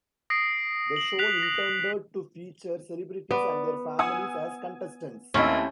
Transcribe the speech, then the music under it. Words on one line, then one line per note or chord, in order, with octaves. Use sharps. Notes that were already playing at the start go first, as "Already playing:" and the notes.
The show intended to feature celebrities and their families as contestants.
D#6 A#6 C7 D7
F#7
F#6 B6 F7
A#6
B3 D5
F#5 G#5 D#6 E6
D#2 A3 C4 C#4 E4 D#5